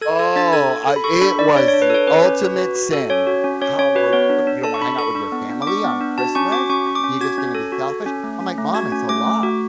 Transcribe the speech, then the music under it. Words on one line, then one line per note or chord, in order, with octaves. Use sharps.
Oh, I it was the ultimate sin. "How will you what, you don't wanna hang out with your family on Christmas? You're just gonna be selfish?" I'm, like, "Mom, it's a lot,
A4 G#6
A4 G#6
D4 A6
A4 G#6
A4
A4
B5
A4 C#6
D4 B5
D4 D5
D4 C#5
C#5
D4
B4
A4 C#5
C#4 B4
C#4
F#4
F#4
F#4
A4
C#4 C#5
F#4
C#4
C#4 C#5
C#4 C#5
F#4 B4
B3 C#5
D4
D4
A4 A5
C#6
D4 B5
A4 C#6
D4
B3
D4
D6
D4 C#6
B3
D4
F#4 A5
C#4 C#6
F#4 D6
C#4 C#6
C#4
D6
C#4
F#4 G#6
C#4
A4
F#4
A4
C#4
A3
C#4
A3
F#4 G#6
C#4
A3 D6
A3
F#4